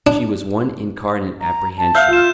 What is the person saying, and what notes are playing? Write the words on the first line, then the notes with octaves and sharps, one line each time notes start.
She was one incarnate apprehension.
D4
A#5
A5
E5 F5 G6
F4 F6 E7